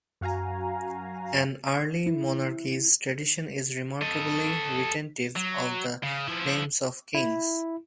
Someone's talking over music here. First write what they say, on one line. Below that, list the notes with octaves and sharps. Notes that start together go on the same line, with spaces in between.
In early monarchies, tradition is remarkably retentive of the names of kings.
F#2 F#4 F5 G#5 A#5
E4
A4 D#5
F#3
C#3
F3 E4
E4